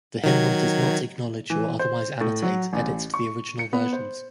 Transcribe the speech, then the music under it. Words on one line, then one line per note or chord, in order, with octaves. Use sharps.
The hymnal does not acknowledge or otherwise annotate edits to the original versions.
D#3 F#3 G#6
E3
C5
A2
F#3
A1
C#6
C#7
B3
C5